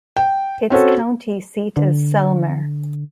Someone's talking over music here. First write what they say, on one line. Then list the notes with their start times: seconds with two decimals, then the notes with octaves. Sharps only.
Its county seat is Selmer.
0.17 G5
0.70 C4 C#4 F#4 A4
1.77 D3